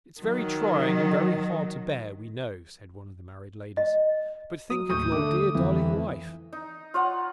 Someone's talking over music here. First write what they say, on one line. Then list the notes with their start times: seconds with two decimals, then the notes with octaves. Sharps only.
'It's very trying, and very hard to bear, we know,' said one of the married ladies; 'but think of your dear darling wife.'
0.21 D#3 F#3
3.77 D#5
4.70 F#3 D#6
4.90 D#2 A2 C#6 D#6 G6
5.12 D3 A3 D6
5.55 F2 E3
6.53 D#4
6.94 F4 C#5 F#5